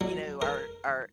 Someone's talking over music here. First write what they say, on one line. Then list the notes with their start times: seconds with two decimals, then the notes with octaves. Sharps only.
you know, our our,
0.01 F#3
0.42 A#4